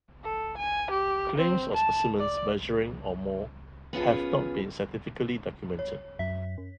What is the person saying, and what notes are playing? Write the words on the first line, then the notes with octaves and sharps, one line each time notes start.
Claims of specimens measuring or more have not been scientifically documented.
A4
G#5
G4
C4
A5
D5
B3 C#4 F4 G#4
C#5
F#2 F#3 E5 B6
F#2